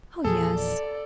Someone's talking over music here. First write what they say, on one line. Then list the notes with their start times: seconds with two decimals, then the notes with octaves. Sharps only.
Oh, yes.
0.25 E2 A#2 F3 G#4 A4
0.56 D5